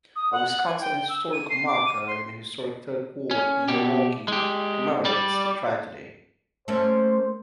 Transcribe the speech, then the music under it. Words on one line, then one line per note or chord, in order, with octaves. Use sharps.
A Wisconsin historical marker in the historic third ward in Milwaukee commemorates the tragedy.
D#6
F#5
G#5
G5
E6
D#7
C7
D6
D#7
C6
C#4
B2 G4
G#3 G4
G3 D5
A3 A#3 C#4 C5